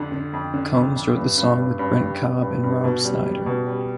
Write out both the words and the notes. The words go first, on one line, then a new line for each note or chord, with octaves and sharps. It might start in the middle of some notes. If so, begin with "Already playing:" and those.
Combs wrote the song with Brent Cobb and Rob Snyder.
Already playing: F2 D3
D3
F2
D3
F2
F2
G2
G2
G2
G2
G3
G2
G2
G2
B2
G3
G3
B2
G3